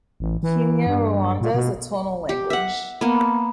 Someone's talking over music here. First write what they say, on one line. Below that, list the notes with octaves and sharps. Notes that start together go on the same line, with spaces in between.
Kinyarwanda is a tonal language.
A1
E3
G2
A#2
B2
G4
E5 F#5
A#3 B3